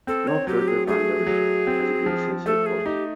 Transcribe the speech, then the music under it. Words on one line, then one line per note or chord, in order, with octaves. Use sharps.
No further vandalism has been since reported.
C4 A4
C#5
F#3 G4
G#4
A3 G#4
F#3
C4
F3
A3 A4
G#4
D#4 G4